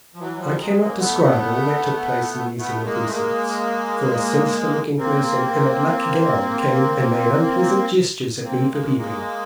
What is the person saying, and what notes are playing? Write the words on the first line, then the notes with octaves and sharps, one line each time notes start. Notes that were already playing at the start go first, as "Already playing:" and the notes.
I cannot describe all that took place in these inner precincts, for a sinister-looking person in a black gown came and made unpleasant gestures at me for peeping.
F3
E3 F#3
F#3
F3 G3
F#3 G#3
G#3 A#3
A3 B3
A3 B3
G#3 A#3
A3
G#3 A#3
A#3 C4
A#3 C4
G#3 A#3
G#3 A#3